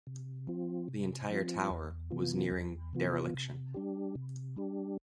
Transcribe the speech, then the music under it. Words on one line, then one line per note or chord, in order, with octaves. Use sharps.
The entire tower was nearing dereliction.
C3
F3 C4 F4
C3
F3 C4 F4
E2
C3 E3 B3 F4
E2
C3 E3 B3 F4
C3
G3 D4 G4
C3
G3 D4 G4